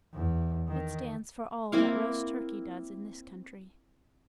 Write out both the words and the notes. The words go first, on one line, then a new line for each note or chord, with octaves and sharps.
It stands for all that roast turkey does in this country.
E2
D#3
A#3 C4 E4 F5